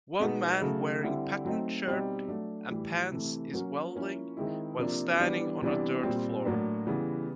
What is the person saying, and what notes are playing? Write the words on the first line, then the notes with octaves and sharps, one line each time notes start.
One man wearing patterned shirt and pants is welding while standing on a dirt floor.
B2 G#3 B3 D#4
C#3 F#3 A3
D3 G3 C4 E4
F#3 A3 C4 D#4
B2 G3 C4 D#4
F#3 A3 D4
A2 E3 G3
C3 E3 A3
F#3 A#3 C#4
F3 A#3 C#4 E4
D#3 G#3 C4 E4
C3 F3 A#3 D4
E3 G3 B3 D4
C3 E3 G3 B3 D4
A#2 G3 C4
A2 F#3 A#3 D4
C#3 E3 G3 B3